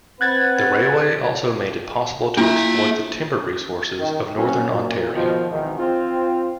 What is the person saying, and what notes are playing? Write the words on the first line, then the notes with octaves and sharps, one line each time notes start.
The railway also made it possible to exploit the timber resources of Northern Ontario.
C4 B4 F#5 F#6 G#6 A6
A#3 D4 E4 F4 E5
D#3
F#3 A3 A#3 C4 C#4
F#2 A#2
B2 D#3 F3
G#1 E2 G#2 D#3
C4 F4